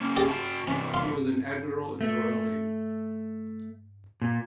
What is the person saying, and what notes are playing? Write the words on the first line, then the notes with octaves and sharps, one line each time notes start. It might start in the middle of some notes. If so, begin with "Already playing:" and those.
He was an admiral in the Royal Navy.
C#3 A#3 C#4
G4 G#4 D5
F#4 G5 A5
C3 E3 C#4
F5 C6
A3
A#2